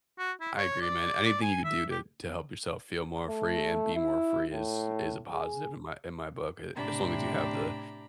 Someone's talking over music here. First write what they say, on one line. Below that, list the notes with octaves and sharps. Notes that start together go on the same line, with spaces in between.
I agree, man. Anything you could do to to help yourself feel more free and be more free is is a positive in my in my book, a as long as you have the
F#4
E4
C#5
D5
D5
G#5
E5
G4
A3
E4
A2
G#4
A2 C3 D4 G4 A#5 B5